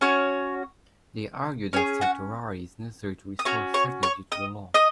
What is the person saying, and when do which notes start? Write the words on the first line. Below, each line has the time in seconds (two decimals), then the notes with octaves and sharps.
They argue that certiorari is necessary to restore certainty to the law.
0.01 C#4 F#4 C#5
1.73 C#4 G#4 C#5
2.01 F#4 F#5
3.39 D#6
3.45 C#4 F#4 C#5 C#6
3.74 C#5 C#6
4.03 C#5 C#6
4.32 D#5 D#6
4.74 D#5 D#6